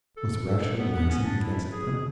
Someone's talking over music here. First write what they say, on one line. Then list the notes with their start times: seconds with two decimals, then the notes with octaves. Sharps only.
Was Russia rising against them?
0.17 A4
0.48 A4
0.79 B3
0.94 B3
1.10 C#4
1.25 D4
1.40 E4
1.73 G#4
1.87 G#4